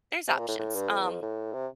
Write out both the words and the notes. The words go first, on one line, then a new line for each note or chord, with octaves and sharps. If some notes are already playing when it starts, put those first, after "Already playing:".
there's options, um,
C3
A#2
A2
A2
G2
F2
E2
F2
A2
C3